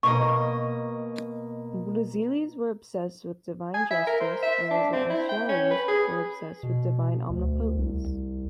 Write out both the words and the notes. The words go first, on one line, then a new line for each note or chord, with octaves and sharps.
Mu'tazilis were obsessed with Divine justice, whereas the Ash'aris were obsessed with Divine omnipotence.
B2 A#3 D#5 C#6
G#5
E5
A#4
C5
E5
D4
C4
E4
G5
C#4
B4
G#4
B2
D2
C2